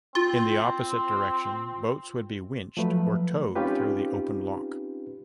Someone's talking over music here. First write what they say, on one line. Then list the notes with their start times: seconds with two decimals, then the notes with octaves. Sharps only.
In the opposite direction boats would be winched or towed through the open lock.
0.15 C4 F4
2.77 F3 F#3 A3 B4
3.55 C4 C#4 D#4 F4 G4 B4